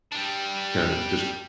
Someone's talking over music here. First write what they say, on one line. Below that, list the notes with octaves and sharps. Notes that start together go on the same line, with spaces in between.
kinda just
G3 D4